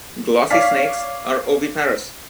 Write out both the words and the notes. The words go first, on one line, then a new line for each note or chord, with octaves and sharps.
Glossy snakes are oviparous.
C#5 D5 F5 B6